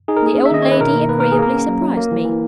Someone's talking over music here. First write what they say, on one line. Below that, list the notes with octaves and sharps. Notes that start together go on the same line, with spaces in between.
The old lady agreeably surprised me.
D#4 G#4
A#4
A#3 G#4
C#4
E5
D#3 D#5
D#3 C#5
B4
B2 A#4
A#3
A#3 B4
A#3 A#4
G#4
A#3 A#4
C#4
F#3
F#3
A#3
E3
E3